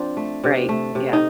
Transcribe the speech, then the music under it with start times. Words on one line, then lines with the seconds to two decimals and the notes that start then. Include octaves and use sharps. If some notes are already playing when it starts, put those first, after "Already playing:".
Right. Yeah.
Already playing: F3 C4 D4
0.17 A3
0.44 C3
0.69 A3
0.95 C3
1.13 D#4